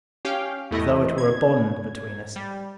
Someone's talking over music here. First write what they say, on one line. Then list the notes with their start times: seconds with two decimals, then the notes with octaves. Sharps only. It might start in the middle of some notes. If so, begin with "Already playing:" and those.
As though it were a bond between us.
0.25 C#4 G4 F5 G5
0.71 E2 A3 E4 D#5
1.18 G#6
2.36 G3